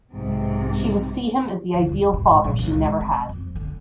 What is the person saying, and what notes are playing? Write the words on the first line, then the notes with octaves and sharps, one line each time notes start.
She will see him as the ideal father she never had.
B1 G#2 C3
D2
E1
B2
G#2
A#1
C#2
G#3
C4
F2
D3